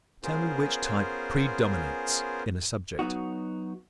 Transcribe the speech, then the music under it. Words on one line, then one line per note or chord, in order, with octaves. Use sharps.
Determine which type PREDOMINATES in a subject.
B3 C#4 F4 G#4 A#4 C5
F#3 B3 D#4 F#4